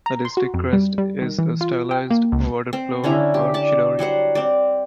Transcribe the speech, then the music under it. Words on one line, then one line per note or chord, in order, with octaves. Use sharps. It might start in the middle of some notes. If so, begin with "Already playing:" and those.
The district crest is a stylized water plover or "chidori".
A#5
C6
F#4
F2
G3
G3
D#3
E3
F4
G5
A#3
C#2
C4
D3 C#4 E4 A#5
G4
D5 A5
F#3 G3 C5 F#5
C4 D5